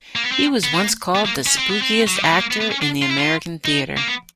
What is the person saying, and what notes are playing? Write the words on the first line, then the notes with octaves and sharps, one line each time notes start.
He was once called "the spookiest actor in the American theatre".
A#3
B3
C4
B3
A#3
B3
A#3
C#4
C4
B3
C4
F#3
G3
G#3
A3
A#3
B3
B3
C#4
D4
F4
E4
F4
D#4
A#3
B3